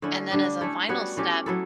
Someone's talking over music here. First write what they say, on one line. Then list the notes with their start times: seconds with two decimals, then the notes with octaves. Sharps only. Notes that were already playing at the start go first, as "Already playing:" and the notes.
And then as a final step,
0.02 D3 A3 C#4 E4
0.32 D3 G3 D4
0.61 A3 C#4 E4 A4
0.89 G3 B3 F#4 C#5
1.17 E3 A3 C#4 G4
1.46 F#3 B3 E4 A4